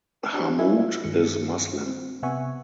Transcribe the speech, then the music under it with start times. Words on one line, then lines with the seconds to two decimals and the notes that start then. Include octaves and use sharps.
Hammoud is Muslim.
0.33 D4 F#4 G4 C5
0.59 E4 F4 B4 E5 G#5
1.04 G2 D#3 G#3 C#7
1.86 C4
2.23 C3 B3 E5 F#5 G#5 C#6